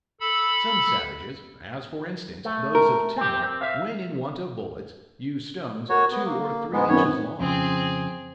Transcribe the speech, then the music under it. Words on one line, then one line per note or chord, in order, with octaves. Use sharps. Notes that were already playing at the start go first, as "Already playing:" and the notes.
Some savages--as, for instance, those of Timor--when in want of bullets, use stones two or three inches long.
A4 B5 E6
A3
A#4
C4 G4
C4
E5 F5
F#4 A#4 C#5
B3
A#3
G#2 G#3 B3
F#2 D#3 B3 C4 C#5
F2 C#3 C4 G#4